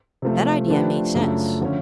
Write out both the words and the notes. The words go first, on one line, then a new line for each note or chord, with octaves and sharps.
That idea made sense.
C3 F3 A3
F3 A3 D4 G4 B4
F#2 C#3 F3 A3 D4
D3 F3 A3 C#4